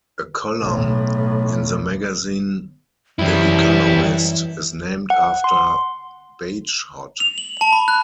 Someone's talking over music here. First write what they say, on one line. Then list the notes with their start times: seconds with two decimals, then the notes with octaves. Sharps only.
A column in the magazine "The Economist" is named after Bagehot.
0.59 B1 A2
3.19 F#2 E3 G3 E4
5.10 F#5
5.44 C6
7.20 F7
7.38 F#7
7.61 A5
7.73 B5
7.88 F#6